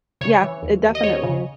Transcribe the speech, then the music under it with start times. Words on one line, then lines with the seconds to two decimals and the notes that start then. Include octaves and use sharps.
Yeah. It definitely is.
0.21 C#3 C#5
0.42 E3
0.62 D#2
0.82 D#2
0.95 D#5
1.03 D#2 C#5
1.23 C#3